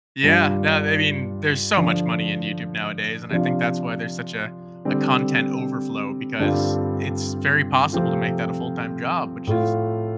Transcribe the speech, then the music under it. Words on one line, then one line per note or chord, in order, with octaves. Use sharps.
Yeah, no, th I mean, there's so much money in YouTube nowadays, and I think that's why there's such a a content overflow, because it's very possible to make that a full-time job, which is
G2 G3 D4 F4
D3 F3 D4
C3 F3 D4 F4
D3 G3 C4
G2 D3 G3 C4 F4
C3 F3 A3 C4 F4
A2 A3 F4